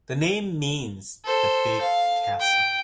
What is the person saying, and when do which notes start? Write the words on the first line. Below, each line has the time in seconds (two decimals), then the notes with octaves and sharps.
The name means "the big castle".
1.25 A4 C5
1.81 F5
2.40 G5